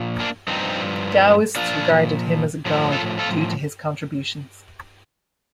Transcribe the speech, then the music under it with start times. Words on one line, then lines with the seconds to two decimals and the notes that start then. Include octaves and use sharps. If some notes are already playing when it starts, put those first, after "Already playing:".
Daoists regarded him as a god due to his contributions.
Already playing: A#2 F3
0.20 A#3 D4
0.48 G2 F3 C4 D#4
1.56 A#2 F3 D4 F4
2.66 A2 F3
2.92 F4 A4
3.19 F4 A4